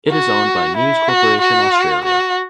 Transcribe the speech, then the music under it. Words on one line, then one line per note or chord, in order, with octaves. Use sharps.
It is owned by News Corporation Australia.
F#4
E4
F#4
F#4
F#4